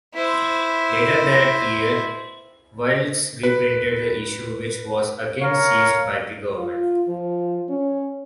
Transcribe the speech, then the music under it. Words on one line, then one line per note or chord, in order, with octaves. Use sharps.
Later that year, Wilkes reprinted the issue, which was again seized by the government.
E4 C5
B4
A#4 C#5 F5
F4
F3
C#4